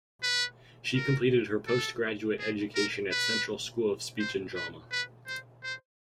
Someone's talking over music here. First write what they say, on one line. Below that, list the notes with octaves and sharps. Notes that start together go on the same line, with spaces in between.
She completed her post-graduate education at Central School of Speech and Drama.
B4
A#4
A4
G#4
A#4
B4
C5
B4
B4
C5
C5